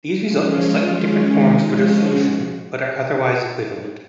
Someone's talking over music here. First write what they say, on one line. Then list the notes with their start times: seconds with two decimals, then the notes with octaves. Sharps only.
These result in slightly different forms for the solution, but are otherwise equivalent.
0.21 F3 G#3 C#4 F4
0.89 D#3 G#3 C#4
1.25 D#4
1.58 F3 G#3 C#4 F4
1.92 F#4